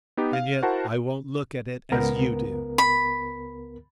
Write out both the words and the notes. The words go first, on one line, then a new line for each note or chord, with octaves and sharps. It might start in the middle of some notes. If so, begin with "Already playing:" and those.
And yet I won't look at it as you do.
B3 D#4 G4
F5
E4 F#4 A#4 C5 F#5 A5
C#2 B3 A#4
B5